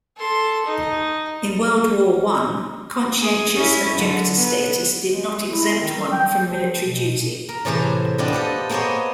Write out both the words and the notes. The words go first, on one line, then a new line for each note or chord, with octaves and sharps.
In World War One, conscientious objector status did not exempt one from military duty.
A4 C6
D#4
G#4
C#4 E4
D3 F#3
B3
G#3
E4
D#3
G3
G5
F3
B2
A#4
A2 C3 E3 G#4 C5 A#5
B3 C4 D4 F4 D#5
G4 A4 D#5
A#3 B3 G#4 C5 C#5 D#5